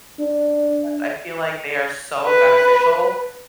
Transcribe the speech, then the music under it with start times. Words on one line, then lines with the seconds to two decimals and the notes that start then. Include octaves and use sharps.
'cause I feel like they are so beneficial,
0.20 D4
2.25 B4